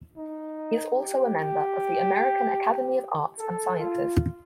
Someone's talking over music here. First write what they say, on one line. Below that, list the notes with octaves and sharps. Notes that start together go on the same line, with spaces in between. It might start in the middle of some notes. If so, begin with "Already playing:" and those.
He is also a member of the American Academy of Arts and Sciences.
D#4
G4
A4
F4